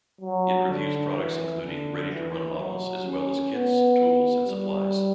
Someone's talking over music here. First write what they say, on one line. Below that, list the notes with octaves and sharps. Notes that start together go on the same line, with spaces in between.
It reviews products including ready-to-run models as well as kits, tools and supplies.
F#3
D3
E3
D3
E3
F#3
C#4
B3
G3